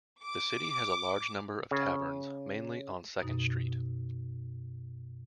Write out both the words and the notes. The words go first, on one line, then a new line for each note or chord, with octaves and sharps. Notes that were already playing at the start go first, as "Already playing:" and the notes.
The city has a large number of taverns, mainly on Second Street.
D6
C#3
F#2 B2 D#4